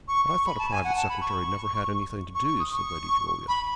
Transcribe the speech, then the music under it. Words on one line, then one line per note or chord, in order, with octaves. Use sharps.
"But I thought a private secretary never had anything to do," said Lady Julia.
C#6
C#6
B5
A5
G#5
F#5
A5
B5
C#6
C#6
C#6
D#6
C#6
B5